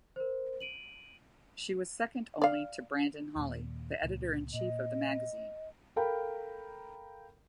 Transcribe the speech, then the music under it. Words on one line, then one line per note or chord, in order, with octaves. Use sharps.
She was second only to Brandon Holley, the editor-in-chief of the magazine.
A#4 C5
D7 D#7 F#7
D5 F5
D#2 A#2
C#2 A#2
A#2 D#5
A4 A#4 F5 G5 A#5 B5